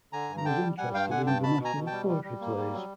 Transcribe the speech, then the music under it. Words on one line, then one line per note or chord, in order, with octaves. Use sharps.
He was interested in vernacular poetry plays.
D3 G#5 A#5
G2
A#5
D3 G5 A5
G3
G3 F#5 G#5
G2 F5 G5
D3 F#5 G#5
G2 G5 A5
B2 A5 B5
B2
G#5 A#5
B2
G5 A5
G3
G3
G3
A#3
G3
F#3